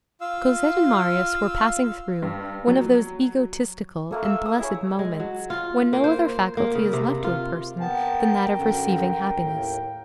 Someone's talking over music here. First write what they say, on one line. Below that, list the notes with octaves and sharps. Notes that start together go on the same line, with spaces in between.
Cosette and Marius were passing through one of those egotistical and blessed moments when no other faculty is left to a person than that of receiving happiness.
F4 F5 E6
G2
F#3
A3 A#3 A4
A4 F5 E6
D#6
E4 G#4 C#5
G#3
F#3
F4
A#3
C5
C5
A#3
C#3
C3
F4
B3 A#4 G5 A5
F#2 D3
D#2 A2